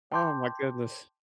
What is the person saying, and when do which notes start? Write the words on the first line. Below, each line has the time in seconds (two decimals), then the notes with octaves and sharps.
Oh my goodness.
0.12 G5 A5 C6 D6 G6